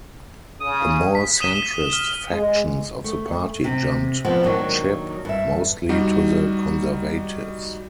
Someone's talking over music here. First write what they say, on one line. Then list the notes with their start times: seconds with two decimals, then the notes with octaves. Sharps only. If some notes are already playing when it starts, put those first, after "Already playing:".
The more centrist factions of the party jumped ship, mostly to the Conservatives.
0.61 C#3 D#6
1.15 B6
1.40 D#6 B6 D#7 E7 G7
1.56 E7
1.93 F6 G7
2.32 G#3
3.04 A3
3.64 C3
4.25 F2 B2 F3 B3
4.43 D#3 F#3 A#3 C#4 D4
5.25 G2 E5
5.89 G3 D#4 F#4